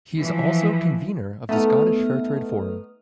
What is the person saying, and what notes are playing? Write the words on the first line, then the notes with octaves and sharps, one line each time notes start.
He is also convener of the Scottish Fairtrade Forum.
E3 F3
A3 B3 D#4 D#6 F6